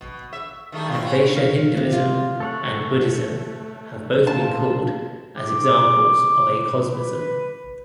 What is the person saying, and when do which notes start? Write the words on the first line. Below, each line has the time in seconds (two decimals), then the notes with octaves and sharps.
Advaita Hinduism and Buddhism have both been called as examples of acosmism.
0.01 B2
0.33 E5
0.72 D#3 G3 A3
0.90 E4 F4
1.04 B3 C#4
1.37 F5
1.77 C3
1.92 F4
2.40 A3 A4 C#5 F#5
4.27 F4 A5
5.38 D6
6.94 B4